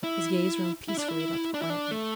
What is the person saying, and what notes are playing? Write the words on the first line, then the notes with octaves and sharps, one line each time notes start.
His gaze roamed peacefully about the quiet room.
E4
E4
D4
E4
D4
E4
D4
A3